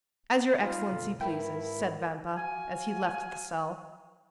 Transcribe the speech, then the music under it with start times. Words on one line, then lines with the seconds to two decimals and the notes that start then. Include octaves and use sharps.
"As your excellency pleases," said Vampa, as he left the cell.
0.59 G3 D#4 F4
0.91 F#2 B2 D3 A4
1.21 G#2 E4 A#4 B4 G5
2.36 F#4 F5 G#5